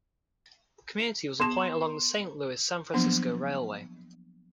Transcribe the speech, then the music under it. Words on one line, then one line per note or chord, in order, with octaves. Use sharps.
The community was a point along the Saint Louis-San Francisco Railway.
B3 G#4 A5 C6 E7
F3 F#3 A#3 B3 D4